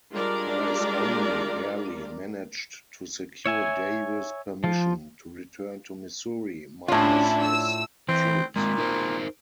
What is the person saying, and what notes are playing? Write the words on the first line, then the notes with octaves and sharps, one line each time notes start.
Price only barely managed to secure Davis's permission to return to Missouri-minus his troops.
G3 G#3 D4 F4 A#4 D5
C#5 E5 G#5
F3 F4
A2 C#4 D4 E4 F4
E6
E3 C4
A#2 G#3 C4
D#4 A#4 C5